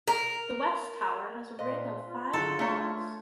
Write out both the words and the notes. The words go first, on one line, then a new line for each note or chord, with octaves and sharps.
The west tower has a ring of five bells.
A#4
A#2 C5 D#5 F5 C6
F4
D3 F#3 E4 G#4 A4 A#5
A3 D4 C#5